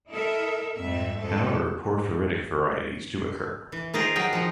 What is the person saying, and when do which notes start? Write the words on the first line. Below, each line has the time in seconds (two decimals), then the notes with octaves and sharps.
However, porphyritic varieties do occur.
0.11 E4 A4 A#4 D#5 E5
0.77 F2 G#2 G3 C4 E5
1.18 F2 F3 G#3 A4
3.72 E3
3.94 D#3 F4 G#4 A#4 C5
4.16 F#3 G#4 G5
4.33 F3 D#4